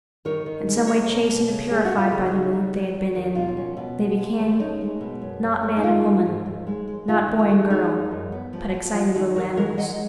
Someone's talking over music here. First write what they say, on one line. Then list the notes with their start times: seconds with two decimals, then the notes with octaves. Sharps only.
In some way chastened and purified by the mood they had been in, they became, not man and woman, not boy and girl, but excited little animals.
0.25 D#3 A#4 C#5
0.46 D#3
0.67 G#3
0.76 B4
0.87 A#3 A#4 C#5
1.08 B2
1.29 B2
1.49 C#3
1.70 A#3 G#4
1.85 F#4
1.91 A#3
1.98 F4
2.12 C#3 D#4
2.32 C#3
2.53 F#3
2.74 F#3
2.94 F#3
3.15 D#2
3.35 B2 F4
3.57 C#4
3.77 B2
3.98 G#3
4.19 G#3
4.39 D#2
4.60 C#4 D#4
4.81 G#3
5.01 B2
5.21 F#2
5.43 F#2
5.63 G#3
5.77 D#4
5.83 D#3 F4
6.05 G#3
6.26 G#2
6.46 D#2
6.67 G#3
6.88 G#3
7.08 D#3 F4 G#4
7.28 D#3
7.39 F4
7.49 G#3
7.70 G#3 D#4
7.91 F#2
8.11 F#2
8.32 B3
8.53 F3
8.74 F3
8.95 F#3 F4
9.15 D#3 D#4 F#4
9.36 D#2 F#4 A#4
9.57 G#3 F#4 A#4
9.77 G#3 D#5 F#5